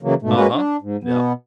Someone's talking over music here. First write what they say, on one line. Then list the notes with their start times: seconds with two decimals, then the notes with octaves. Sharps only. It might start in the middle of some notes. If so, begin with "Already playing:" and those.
Uh-huh, yep.
0.03 C#3 E3 F#3 A#3
0.22 G#2 B2 A3
0.35 G#3 A#3 C#4 F#4 B4
0.53 D4
0.81 G#2
1.04 B2 B3